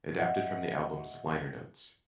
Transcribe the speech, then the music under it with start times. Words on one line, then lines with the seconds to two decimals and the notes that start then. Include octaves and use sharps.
Adapted from the album's liner notes.
0.19 D#5 E5 F#5